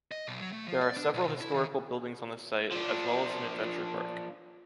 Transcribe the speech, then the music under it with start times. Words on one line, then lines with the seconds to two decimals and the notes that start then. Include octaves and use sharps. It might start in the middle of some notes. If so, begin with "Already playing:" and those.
There are several historical buildings on the site, as well as an adventure park.
0.12 D#5
0.28 B1
0.41 F#3
0.52 A3
0.68 F3
0.81 D5
0.97 D4
1.14 B1
1.26 B2
1.41 E4
1.54 D#3
2.72 F3 D4